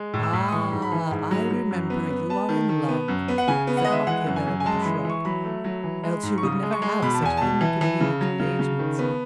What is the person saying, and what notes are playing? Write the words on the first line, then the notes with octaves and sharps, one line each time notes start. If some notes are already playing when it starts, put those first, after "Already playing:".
I remember, you are in love," said Macchiavelli, with a shrug, "else you would never have such inconvenient engagements.
Already playing: G#3
A2
E6
A2
D#6
E3 C#6
G#2
B5
E3
G#2
F#3
F#3
F#2
B3
B3
B3 A5
D#3
D#3
B3
F#2
B3
F#5
C#3 G#5
B3
F#5
G#3 D#5
E5
E3 F#5
F#2
G#5
F#2
G#5
G#3 A5
E3 B5
E3 C#6
F#3 B5
A3
F#3
E3
G#3
G#2
C#6
C#3 D#6
G#3
C#6
G#3
B2 B5
A5
E2 G#5
B2 A5
E3
E3
C#3
F#3
C#3
C#3
D#3
B3